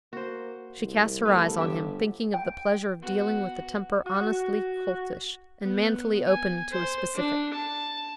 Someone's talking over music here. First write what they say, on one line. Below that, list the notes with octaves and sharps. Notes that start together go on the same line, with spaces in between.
She cast her eyes on him, thinking of the pleasure of dealing with a temper honestly coltish, and manfully open to a specific.
A#3 F#4 C5
C2
A3 B3 B4
G1 G4 E5
G5
B3 F#4
F#4
B3
G#5
C5
D4
A5